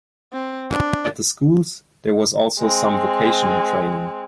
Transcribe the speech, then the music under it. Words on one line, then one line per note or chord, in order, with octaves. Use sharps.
At the schools there was also some vocational training.
C4
D4
G#3 C4